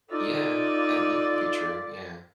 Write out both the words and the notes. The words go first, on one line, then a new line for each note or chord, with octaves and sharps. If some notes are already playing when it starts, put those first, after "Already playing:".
Yeah, that that could be true, yeah.
D#4 F4 A4 D5